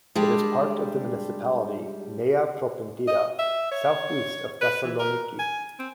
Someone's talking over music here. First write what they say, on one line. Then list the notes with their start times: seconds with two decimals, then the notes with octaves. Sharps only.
It is part of the municipality Nea Propontida, southeast of Thessaloniki.
0.15 G3 G#3 D4 G4
3.07 D#5
3.39 E5
3.72 C#5
4.61 B4
4.83 E3
4.99 A#4
5.39 G#5
5.79 C4